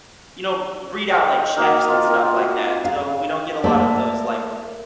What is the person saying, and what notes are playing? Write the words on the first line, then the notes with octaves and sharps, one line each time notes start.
you know, b breed out, like, chefs and stuff like that. So we don't get a lot of those, like,
D#5 G5
A#3 D#4 F#4 A#4
C4 F4
A#4 D#5
F#4
F5
A3 A#3 C5 D5